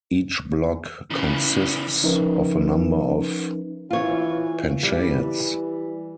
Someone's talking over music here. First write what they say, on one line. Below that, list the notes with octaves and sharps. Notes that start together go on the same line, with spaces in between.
Each block consists of a number of panchayats.
C#3 E3
F3 C#4 D#4 A#4 B4 E5
E3 F4 C#5
E3 G3